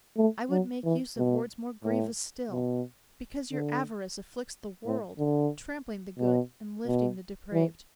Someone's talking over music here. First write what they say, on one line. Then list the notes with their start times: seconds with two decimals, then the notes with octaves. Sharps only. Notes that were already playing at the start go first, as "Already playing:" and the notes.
I would make use of words more grievous still; Because your avarice afflicts the world, Trampling the good and lifting the depraved.
0.17 A3
0.50 F#3
0.84 E3
1.18 B2
1.84 A2
2.52 B2
3.52 D3
4.86 A2
5.19 D3
6.19 B2
6.87 B2
7.53 E3